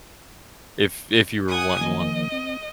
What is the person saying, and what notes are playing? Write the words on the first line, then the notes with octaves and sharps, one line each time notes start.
if if you were wanting one.
F#5 G#5 D#6
D#3 F3 A#3 D#5
C4